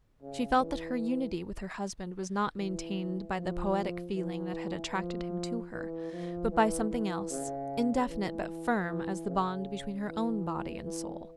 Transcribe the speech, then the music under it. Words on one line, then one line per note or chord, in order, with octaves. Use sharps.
She felt that her unity with her husband was not maintained by the poetic feelings that had attracted him to her, but by something else--indefinite but firm as the bond between her own body and soul.
C#3
E3
E3
F3
E3
F3
E3
F3
E3
E3
C#3
E3
E3
C#3
E3
E3